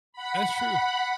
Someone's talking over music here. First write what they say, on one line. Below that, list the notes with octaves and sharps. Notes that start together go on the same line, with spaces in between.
That's true.
F#5 B5